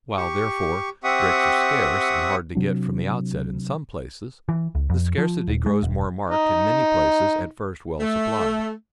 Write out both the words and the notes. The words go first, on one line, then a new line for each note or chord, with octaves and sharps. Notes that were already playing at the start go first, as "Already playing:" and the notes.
While, therefore, bricks are scarce and hard to get from the outset in some places, the scarcity grows more marked in many places at first well supplied.
G4 C#6
C4 G4 E5 F#5 C#6 D#6
C3 F#3 D4
E3
C#2
F2
F3
D#1
G#3
E1
D#4
A3